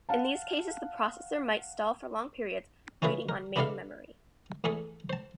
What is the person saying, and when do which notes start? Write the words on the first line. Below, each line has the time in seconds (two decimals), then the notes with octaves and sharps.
In these cases the processor might stall for long periods, waiting on main memory.
0.09 F5 F#5 A5
3.02 C#4 E4 F4 G#4 B4
3.29 A#4
3.56 B3 D4 E4 A4 D5 F5
4.64 E2 A3 G#4 A4 D#6
5.10 C5 A5